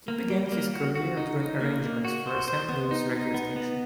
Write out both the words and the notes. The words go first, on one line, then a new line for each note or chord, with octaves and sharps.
He began his career doing arrangements for a Saint Louis radio station.
A#3
G3
A#3
F#4
F#4
D#4
D#4
A#3
A#3
F#4
C5
C5
B3
D#4
D#4
B3
B3